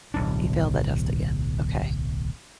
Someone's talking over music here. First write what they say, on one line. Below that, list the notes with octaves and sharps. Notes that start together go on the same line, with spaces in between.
He failed that test again okay.
D1 B1 D4